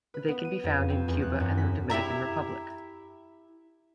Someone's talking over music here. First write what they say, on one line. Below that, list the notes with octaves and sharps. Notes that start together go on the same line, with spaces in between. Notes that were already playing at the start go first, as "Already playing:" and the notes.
They can be found in Cuba and the Dominican Republic.
B4
B3
D#7
F2
C4
E2
F#6
F#2
B6
E4 G4 E5 A#5